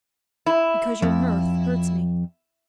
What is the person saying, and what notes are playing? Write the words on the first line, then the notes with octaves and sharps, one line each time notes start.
"Because your mirth hurts me."
E4
F2